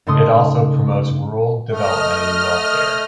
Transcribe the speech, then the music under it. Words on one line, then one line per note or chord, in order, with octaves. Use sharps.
It also promotes rural development and welfare.
G#2 C#3 A3 C6 D#6
A3 D#5 F6